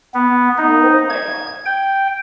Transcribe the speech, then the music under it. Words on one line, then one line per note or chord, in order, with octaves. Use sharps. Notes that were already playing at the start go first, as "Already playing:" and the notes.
Oh my god.
B3
D#4
G#6
G5